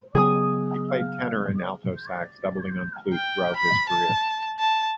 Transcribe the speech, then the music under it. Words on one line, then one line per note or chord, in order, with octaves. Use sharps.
He played tenor and alto sax, doubling on flute throughout his career.
C#3 F#3 B3 G#4 G#5 D#6
G5
B5
A5
A5